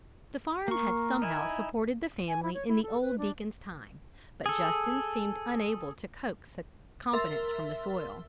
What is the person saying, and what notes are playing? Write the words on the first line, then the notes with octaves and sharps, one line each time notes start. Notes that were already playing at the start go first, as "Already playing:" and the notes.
The farm had somehow supported the family in the old Deacon's time, but Justin seemed unable to coax a competence from the soil.
A#3 A#4 C#6
D#4 E4 G#5
G#5
E4
C#5
E4
A4
B4
D4
G#4 A4
A#4 E5 C6 E6 A6